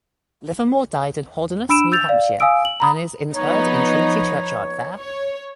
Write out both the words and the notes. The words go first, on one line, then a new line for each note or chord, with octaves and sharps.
Livermore died in Holderness, New Hampshire and is interred in Trinity Churchyard there.
D4 B5 E6 D7 E7
E6 G6 A6 F7
D5 F5
F5 G#5 D#6 E6 D7
F#7
A#5 B5 D#6
F3 B3 D#4 C#5
C#5